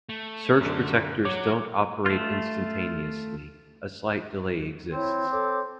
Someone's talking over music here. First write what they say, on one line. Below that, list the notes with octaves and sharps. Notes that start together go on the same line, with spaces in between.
Surge protectors don't operate instantaneously; a slight delay exists.
A3
F#2 D3
F#3 C#5 D6
A3 F4
C4 E4 C#5
A4 C#5 D6